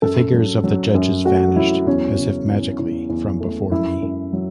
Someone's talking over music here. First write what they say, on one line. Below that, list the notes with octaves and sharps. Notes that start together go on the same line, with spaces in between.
The figures of the judges vanished, as if magically, from before me.
F#2 A4
F#3
F#3
F#2
A3 F#4
F#3 E4
E2 C#4
C#3
E2
E2
E2
A3
F#2 E4
F#2
F#3